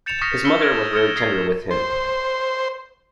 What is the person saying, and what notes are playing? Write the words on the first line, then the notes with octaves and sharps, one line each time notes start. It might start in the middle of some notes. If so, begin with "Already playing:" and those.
His mother was very tender with him.
G6 A6 C#7 E7 F7
C#6 D#6 F6 A#6 B6 C#7
E6 F6 B6 C#7 G7
C#6 G#6 A#6 D7 E7
D#6 F6 G#6 C#7 E7 G7
D#6 G#6 B6 C7
C5